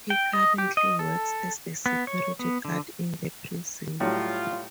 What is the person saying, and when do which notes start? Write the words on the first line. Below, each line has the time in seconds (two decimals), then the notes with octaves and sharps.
He currently works as a security guard in the prison.
0.10 G5
0.33 D#5
0.58 G4
0.77 D#5
0.99 A4
1.86 B3
2.07 C#5
2.39 B3
2.65 D3
4.00 A2 F#3 G3 F4